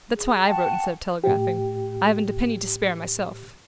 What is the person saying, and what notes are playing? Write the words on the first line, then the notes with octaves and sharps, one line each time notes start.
"That's why I wrote instead of telegraphing; I haven't a penny to spare myself!"
G#4
F#5 G5 A5 C#6
A2 G4